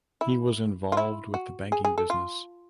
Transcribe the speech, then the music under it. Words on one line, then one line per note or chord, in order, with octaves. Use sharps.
He was involved with the banking business.
E4
F4
E4
F#4
G#4
G#4
A4
F4